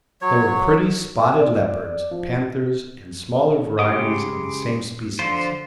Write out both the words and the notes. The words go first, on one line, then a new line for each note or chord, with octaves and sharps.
There were pretty spotted leopards, panthers, and smaller varieties of the same species.
F#3 C#5
E5
D5
F3
C#3 G#3 G4 D6 D#6
D3 F3 F4 C5